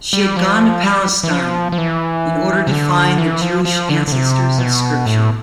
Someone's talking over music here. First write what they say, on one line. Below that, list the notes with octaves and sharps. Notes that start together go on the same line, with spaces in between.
She had gone to Palestine "in order to find the Jewish ancestors of Scripture".
G3
F3
G3
E3
F3
F3
E3
C3
D3
E3
F3
F3
D3
D3
C3
B2
A2